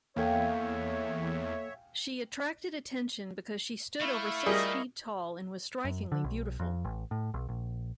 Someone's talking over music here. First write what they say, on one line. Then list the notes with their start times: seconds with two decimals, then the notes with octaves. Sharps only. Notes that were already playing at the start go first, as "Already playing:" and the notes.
She attracted attention because she stood over six feet tall and was strikingly beautiful.
0.16 E2 A#3 A4 C#5 E5 F5 G5 G#5
4.01 A3 E4 F5 C#6
4.46 G3 G#4 A#4 D#5
5.84 F#2
6.12 D3
6.24 B1
6.60 F2
6.85 A1
7.11 A2
7.34 B1
7.49 A#1